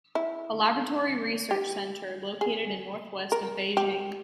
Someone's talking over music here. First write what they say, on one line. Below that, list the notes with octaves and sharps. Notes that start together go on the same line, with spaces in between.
A Laboratory Research centre located in northwest of Beijing.
E4
G4
G#4
A#4
G4